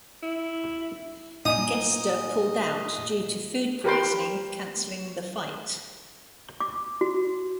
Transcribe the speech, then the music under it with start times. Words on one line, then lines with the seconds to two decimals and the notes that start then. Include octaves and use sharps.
Gesta pulled out due to food poisoning cancelling the fight.
0.23 E4
1.45 A#2 D#4 D#5 G#5 D#6 D#7
3.84 G4 A#4 B4 G5 C6
6.60 D6
7.01 F#4